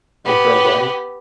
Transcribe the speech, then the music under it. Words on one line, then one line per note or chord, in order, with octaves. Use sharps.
Like, drug addicts,
B3 G4